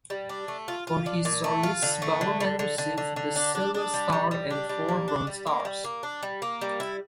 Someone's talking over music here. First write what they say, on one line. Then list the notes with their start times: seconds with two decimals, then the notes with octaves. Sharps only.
For his service, Bowerman received the Silver Star and four Bronze Stars.
0.10 G3
0.29 D4
0.48 A3
0.68 F4
0.87 F4
1.06 D4
1.25 A#2
1.44 A3
1.63 F4
1.82 D3
2.02 A3
2.21 D3
2.40 D3
2.59 D3
2.78 D3
2.98 D3
3.16 D3
3.36 D4
3.55 D4
3.75 D4
3.94 G3
4.13 G3
4.31 G3
4.50 D4
4.69 G3
4.88 A#3
5.08 D4
5.27 G3
5.46 A#3
5.65 G3
5.84 A#3
6.03 D4
6.23 G3
6.42 A#3
6.61 G3
6.80 E4